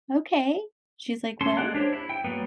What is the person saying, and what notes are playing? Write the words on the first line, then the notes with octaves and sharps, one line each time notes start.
"Okay." She's like, "Well"
C#4 A4 A5 C6
G#3 A#3 D5 F#5 F#6
D4 G4 C5 C#5
E4
G5
F#3 G3 A#3 B3